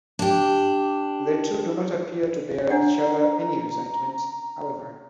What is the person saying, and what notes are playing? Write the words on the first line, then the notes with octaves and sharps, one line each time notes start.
The two do not appear to bear each other any resentment, however.
D4 G4
D4 F#5 A#5